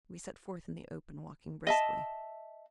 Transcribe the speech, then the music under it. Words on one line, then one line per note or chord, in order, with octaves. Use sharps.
We set forth in the open, walking briskly.
D#5 E5 A5